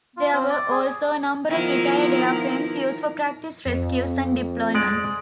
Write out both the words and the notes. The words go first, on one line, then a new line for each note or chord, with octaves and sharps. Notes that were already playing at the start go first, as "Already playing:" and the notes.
There were also a number of retired airframes used for practice rescues and deployments.
F4
C4
D5
G#4
D#3 F3 B3 E4 F4 A#4
F2
G#3 D5